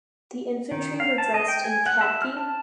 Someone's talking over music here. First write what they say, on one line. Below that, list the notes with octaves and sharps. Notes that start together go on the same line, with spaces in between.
The infantry were dressed in khaki.
D#3
F5
A5
D#5
G5
G#5
F#5
E5
F6
A5